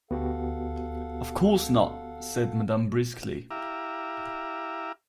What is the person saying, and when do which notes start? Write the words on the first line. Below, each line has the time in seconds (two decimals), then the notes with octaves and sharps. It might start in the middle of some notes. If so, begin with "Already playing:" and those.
"Of course not," said madame briskly.
0.11 D2 B3 F#4 G4 A4 F5 F#5
3.51 E4 G4 E5 F5 A#5 D6